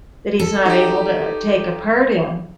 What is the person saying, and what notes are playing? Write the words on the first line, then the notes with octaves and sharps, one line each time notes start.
that he's not able to, uh, take a part in.
A4
D#4 G4